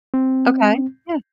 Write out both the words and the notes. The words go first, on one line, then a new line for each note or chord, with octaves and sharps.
Okay, yeah.
C4